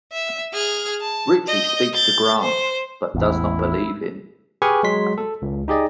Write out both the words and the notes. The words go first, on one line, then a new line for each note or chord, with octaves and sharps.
Ritchie speaks to Grant, but does not believe him.
E5
G#4 F6
A5
D#5 G6
G6 A6
C5
A1 E2 E4
G4 G#4 B4 G#5 C#6 F6
F#3 G#3 C6 B6
A4
C#2
D#4 G4 G#4 D5 D#5